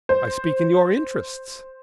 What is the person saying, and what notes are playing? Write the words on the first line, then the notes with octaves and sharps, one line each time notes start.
I speak in your interests.
C5